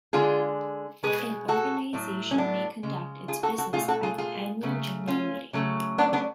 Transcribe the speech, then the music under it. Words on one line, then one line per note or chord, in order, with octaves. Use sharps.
An organization may conduct its business at the annual general meeting.
D3 G#3 F4 G#4
B2 G#3 G#4 B4
F#4 A4
A2 F#3 A3
C#4
B3 D4
C#3 G#3
F4 G#4
F#4 A4
F#4 A4
B2 A3 F4 G#4
F#4 A4
F4 G#4
F4 G#4
C#3 F#3 A3
C#4 F4
C#3 F#3 A3
B3 D4
B3 D4